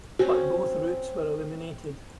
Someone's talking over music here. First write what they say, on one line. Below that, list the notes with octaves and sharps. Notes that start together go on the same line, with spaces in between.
But both routes were eliminated.
C4 C#4 F#4